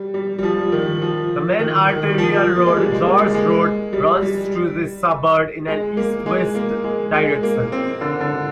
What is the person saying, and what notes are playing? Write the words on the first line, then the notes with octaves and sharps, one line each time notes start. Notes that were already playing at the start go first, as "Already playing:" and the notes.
The main arterial road, Gorge Road, runs through this suburb in an east-west direction.
Already playing: G3
G3
G3
F3
D#3
F3
D#3
D#3
G3
F3
A#3
G#3
G3
G#3
A#3
G#3
G#3
G3
G3
G#3
A#3
G#3
A#3
G#3
G#3
A#3
C4
D3
D3